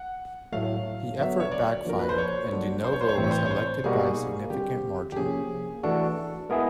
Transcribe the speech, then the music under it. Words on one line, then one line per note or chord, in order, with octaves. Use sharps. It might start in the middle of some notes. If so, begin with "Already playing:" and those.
The effort backfired, and DiNovo was elected by a significant margin.
Already playing: F#5
A2 F#3 A3 F5
D3 F#3 B3 E5
C#5
D5
F3 A#3 D4 F#4 A#4
B4
C5
C#5
F#3 A#3 D4 F#4 A4
C5
C#5
C5
C#5
A2 E3 A3 C4 C5
C#5
C5
C#5
C5
B2 G3 A#3 D#4 F#4 G#4
D3 G3 C4 G4
G4
C3 F3 A#3 C#4 G#4
E3 A3 D4 F#4 A4
G#3 B3 E4 G#4 A#4